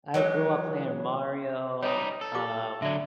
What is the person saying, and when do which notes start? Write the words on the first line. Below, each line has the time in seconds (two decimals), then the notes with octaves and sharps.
uh, i I grew up playing Mario, um,
0.14 E3 F#3 G#3 G4
1.83 G3 D#4 C#5 D#5 G#5
2.21 A4
2.35 F4 G4 D6
2.82 D3 F#3 D5 E5